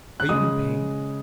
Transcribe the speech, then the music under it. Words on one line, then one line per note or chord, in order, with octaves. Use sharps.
"Are you in pain?"
F#6
C#3 G#3 D#6